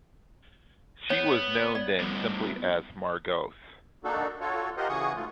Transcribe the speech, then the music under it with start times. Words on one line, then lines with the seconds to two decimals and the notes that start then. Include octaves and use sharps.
She was known then simply as Margox.
1.10 B3 C#5
1.75 D5
2.00 G2 B2
4.04 A#3 D4 D#4 F#4 A4
4.41 F4 F#4 A4 C#5
4.77 F4 G4 A#4 C5 D#5 F#5
4.89 C#3 E3 F#4 G#4 C#6 D#6
5.15 G#2 A3 F4